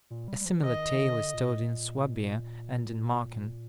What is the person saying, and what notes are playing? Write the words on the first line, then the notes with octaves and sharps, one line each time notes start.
A similar tale is told in Swabia and in Marken.
A#2
G3
G3
F3
D#3 D#5
D#3
D3
A#2
A2
A#2
A#2